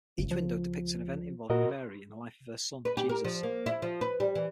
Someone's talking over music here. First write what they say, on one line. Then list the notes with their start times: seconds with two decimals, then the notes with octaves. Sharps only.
Each window depicts an event involving Mary in the life of her son, Jesus.
0.18 G1 C#2
0.31 F3
1.50 A#2 F#4 A#4 D#5
2.85 B4
2.97 G4
3.09 A#4
3.24 F3
3.43 A#3
3.66 E4
3.82 F3
4.01 B4
4.20 G3
4.35 E3